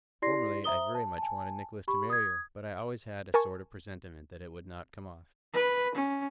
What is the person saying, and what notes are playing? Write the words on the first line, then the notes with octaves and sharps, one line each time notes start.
Formerly I very much wanted Nicholas to marry her, but I always had a sort of presentiment that it would not come off.
E4 G4 D5 C6 A#6 C7
C5 E5 A#5 D#6 G7
A5
G#5 A5
G4 B5 C#6
D#6 G#6
A#4 G#5 A5 C#6
B4
C#4